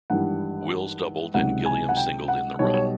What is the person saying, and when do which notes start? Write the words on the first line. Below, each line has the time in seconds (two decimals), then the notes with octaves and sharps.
Wills doubled and Gilliam singled in the run.
0.10 G#1 G2 E3 G3 F#5
1.34 C#2 C3 D#3 F#3 F#5
1.66 G#5
1.89 F#5
1.97 G5
2.28 F#5
2.59 B1 B2 G3 C#5
2.74 C#5